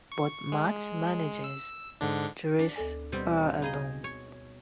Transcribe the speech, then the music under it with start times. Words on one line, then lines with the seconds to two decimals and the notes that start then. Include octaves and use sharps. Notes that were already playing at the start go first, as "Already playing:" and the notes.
But Matt manages to raise her alone.
0.12 C#6
0.52 G#3
1.44 E6
2.01 G#2 D3 D4
2.59 D4
2.76 D2 A4 G#5
3.12 B2 G3 C4
3.40 B5
3.62 D#4 G#4 D#5 F5 A#5 B5
4.04 C#5